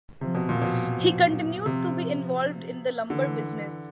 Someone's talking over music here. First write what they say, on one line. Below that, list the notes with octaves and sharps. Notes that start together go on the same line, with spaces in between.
He continued to be involved in the lumber business.
C3 F3
B2
A#2
B2 F3
F3
F#3
C3 F3
D3 E3